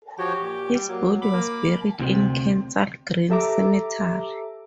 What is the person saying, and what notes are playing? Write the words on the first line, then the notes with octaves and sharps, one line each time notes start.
His body was buried in Kensal Green Cemetery.
F3 F#4 G4 C#5
A#2
G3
F#3 A#3
B5 D6
A#3
D2 C3
G4 A4 E5 A#5 D6